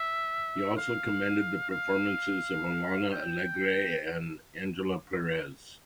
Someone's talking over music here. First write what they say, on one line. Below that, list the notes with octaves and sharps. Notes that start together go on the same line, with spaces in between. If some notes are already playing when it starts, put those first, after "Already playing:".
He also commended the performances of Alona Alegre and Angela Perez.
Already playing: E5
F5
F5
G5